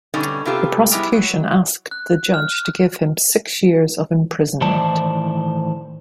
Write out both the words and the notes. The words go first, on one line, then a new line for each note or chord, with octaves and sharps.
The prosecution asked the judge to give him six years of imprisonment.
B2 D3 G3 C#4 D#4
C3 B3 F4 G4 A4
G3 G#3 B3 E4
F#3
F#6
F6
A2 D#3 E3 C5 D5 A5